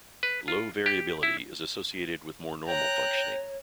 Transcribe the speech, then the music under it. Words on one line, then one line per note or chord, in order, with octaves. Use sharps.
Low variability is associated with more normal functioning.
B4
F4
G4
E4
C#5 G5 A#5 F#6